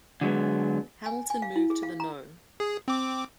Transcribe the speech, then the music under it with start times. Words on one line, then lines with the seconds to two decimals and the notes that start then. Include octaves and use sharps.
Hamilton moved to the No.
0.21 D3 F#3 G#3 B3
1.06 G#5
1.30 G#5
1.42 F5
1.56 E4
1.70 G#4
1.83 F5
2.00 A#5
2.60 G#4
2.88 C4 D6